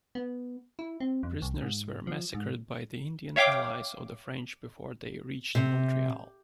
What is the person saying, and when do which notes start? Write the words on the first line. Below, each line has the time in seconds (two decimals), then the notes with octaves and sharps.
Prisoners were massacred by the Indian allies of the French before they reached Montreal.
0.15 B3
0.79 E4
1.00 C4
1.23 F2
1.42 C2
1.62 G#2
2.07 F3
2.34 G#2
3.36 C#5 E5 F5 G5 D6
5.55 C3